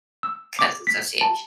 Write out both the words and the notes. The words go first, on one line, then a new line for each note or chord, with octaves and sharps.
'cause association.
E6
D6
B6
A5